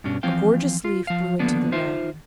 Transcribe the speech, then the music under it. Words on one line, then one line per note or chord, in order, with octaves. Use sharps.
A gorgeous leaf blew into the wagon.
G2 B2 C#4 D4
E3 F3 C4 F5 G5
F4
F3 F5
D3 D#3 F3 A#3 B3 D4
D#4 F4 C5 E5